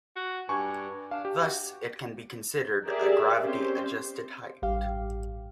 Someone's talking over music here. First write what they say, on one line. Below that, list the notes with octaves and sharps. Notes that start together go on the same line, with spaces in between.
Thus it can be considered a "gravity-adjusted height".
F#4
G2 G#5 C#6
D4 F5
G4
F#4
G4 G#4 A#4 D5 E5
C4 C#4 G4 C5
A1 G2 G4 F5